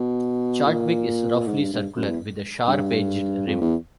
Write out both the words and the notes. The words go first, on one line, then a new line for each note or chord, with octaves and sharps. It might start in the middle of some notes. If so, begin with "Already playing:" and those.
Chadwick is roughly circular with a sharp-edged rim.
Already playing: B2
A#2
G#2
G2
G2
F#2
E2
G2
F2
E2